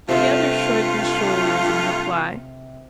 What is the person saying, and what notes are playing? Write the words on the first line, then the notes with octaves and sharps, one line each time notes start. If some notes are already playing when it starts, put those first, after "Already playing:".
The other shrugged his shoulders in reply.
G2 C3 A3 F4 A4